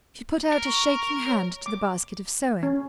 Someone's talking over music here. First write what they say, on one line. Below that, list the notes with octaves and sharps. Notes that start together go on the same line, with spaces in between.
She put out a shaking hand to the basket of sewing.
A#4
C#6
C#5
D6
C#4